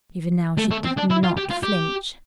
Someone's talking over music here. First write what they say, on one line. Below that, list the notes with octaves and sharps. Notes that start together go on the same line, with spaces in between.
Even now she did not flinch.
A3
A3
C4
D4
E4
F4
G4
F4
G4